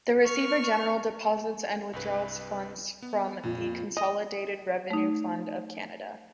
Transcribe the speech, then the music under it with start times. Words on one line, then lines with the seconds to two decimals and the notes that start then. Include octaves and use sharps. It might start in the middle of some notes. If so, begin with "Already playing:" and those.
The Receiver General deposits and withdraws funds from the Consolidated Revenue Fund of Canada.
0.25 C#6 F6
1.93 C2 G2 B4
3.02 B3
3.43 F2 A#2
3.97 D#5
4.90 A3 D#4